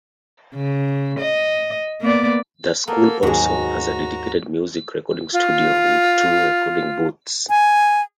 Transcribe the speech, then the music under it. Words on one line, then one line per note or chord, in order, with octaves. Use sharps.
The school also has a dedicated music recording studio with two recording booths.
C#3
D#5
A#3 B3 D5
A#3 B3 A4 A#4
D#2 G#2 F#3 G#3 F#4 A5 A#5
F4
G#5